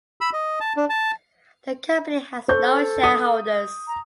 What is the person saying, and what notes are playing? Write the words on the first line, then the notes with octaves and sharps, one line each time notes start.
The company has no shareholders.
B5 E6
D#5
A5
D4
A5
A4 C5 C#6 G6
D#6
A#5